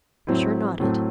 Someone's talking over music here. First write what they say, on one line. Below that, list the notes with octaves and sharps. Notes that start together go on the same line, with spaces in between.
Fisher nodded.
A2 F#3 C4 E4
A2 F#3 A3 C4